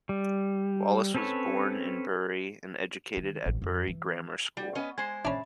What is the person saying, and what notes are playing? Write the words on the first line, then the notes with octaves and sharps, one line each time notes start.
Wallace was born in Bury and educated at Bury Grammar School.
G3
C4 C#4 A4 B4 C#5
D#3
A1 F2
F2
E3
G3
B3 C#4 D#5
G#3 C5 G#6
C#4 D4 E5 B5